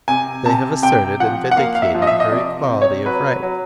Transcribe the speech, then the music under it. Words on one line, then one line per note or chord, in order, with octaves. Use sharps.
They have asserted and vindicated her equality of right.
C3 G#5
C3 A5
C3 G5
F3 F#5
F#5
A#3 F5
F5
E5
F3
D#5
E5
D#5
C3 D5
C3
C#5
F#3 B4
F#3